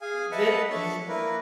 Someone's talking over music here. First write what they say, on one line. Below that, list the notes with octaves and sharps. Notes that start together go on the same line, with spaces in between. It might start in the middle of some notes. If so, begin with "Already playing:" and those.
Thi th
G#4 F5 G#5
B4 D#5 E5 F#5 A5
D4 A4 C#5 E5 A5
A#3 E4 A#4 B4